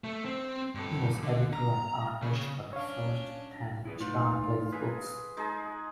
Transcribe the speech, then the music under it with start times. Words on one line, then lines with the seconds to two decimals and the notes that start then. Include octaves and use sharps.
He was editor and artist for the first ten "Starblaze" books.
0.04 A3
0.25 C4
0.75 G2 A4
1.23 D3
1.53 A#5
2.22 C#3
2.73 C#4 D4 C#5 F5
3.85 E4 G#4 B4
4.00 A2 D#4 F4 B4
4.72 G#4 B4 G#5
5.37 G#3 D#4 G#4